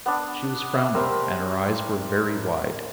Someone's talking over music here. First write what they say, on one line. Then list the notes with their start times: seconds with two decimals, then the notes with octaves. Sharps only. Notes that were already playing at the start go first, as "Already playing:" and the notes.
She was frowning, and her eyes were very wide.
0.06 B3 D4
0.74 E5
0.94 G3 A#4 C5 E6